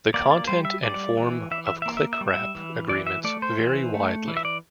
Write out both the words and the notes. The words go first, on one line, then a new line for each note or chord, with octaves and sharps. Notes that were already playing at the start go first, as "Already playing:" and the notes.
The content and form of clickwrap agreements vary widely.
A#3 D5
D5
G3 C5
E5
G3 D5
E3
E3 E5
E5
E5
A#3
E5
E5
G3
E5
E3
E3 D5
E5
A3 D5
C5
E3
A3
E3
E5
D5